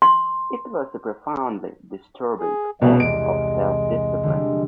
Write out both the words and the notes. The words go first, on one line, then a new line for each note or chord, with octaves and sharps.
It was a profoundly disturbing act of self-discipline.
C6
G#4
C2 B2 E3 G3 A3 D5
E2 E3 G#3 D7
D3 F3 G3